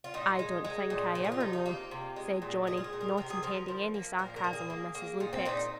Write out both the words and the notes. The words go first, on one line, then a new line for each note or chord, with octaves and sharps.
"I don't think I ever know," said Johnny, not intending any sarcasm on Mrs. Lupex.
F4
A#2 D#4
G#3
G#3
A#2
F3
G#4
F4
C3 D#4
D#4
A#3 F4
C3
G#3
A#2
G#3 G#4
F4
G#4
A#2
A#4
C3 A#4
G#4
F3 A#4
F3
A#3
A#2 A#4
A#4
A#3
G#4
A#3
A#3
A#2 D#4
C4
A#2 D#4